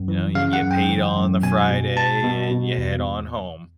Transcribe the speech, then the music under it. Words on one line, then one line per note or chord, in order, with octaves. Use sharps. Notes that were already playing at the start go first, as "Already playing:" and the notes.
you know, you get paid on the Friday, and you head on home.
Already playing: F#2
E3
C#3 F5
F#5
F#2
G5
E3
F#2
B2 G#5
B2
B2 A5
B2
B2
E2